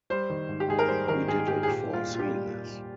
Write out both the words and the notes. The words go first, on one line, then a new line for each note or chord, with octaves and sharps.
We did it for silliness.
G3 C5
D#3
G#2
G4
G#2 G#4
A#4
G3 C5
D#3 A#4
G#2 G#4
G#2 G4
G#4
A#2 G4
G3
F4
A#2
F4
G4
G3
A#2
G3